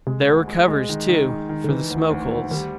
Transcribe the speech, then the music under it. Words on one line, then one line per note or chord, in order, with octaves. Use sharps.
There were covers, too, for the smoke-holes.
C3 G#3
D2
G#3
G#3
D#3
D#3
G#3
D#3
D3
C#3 E3
D2
D2
D2
D#3 G3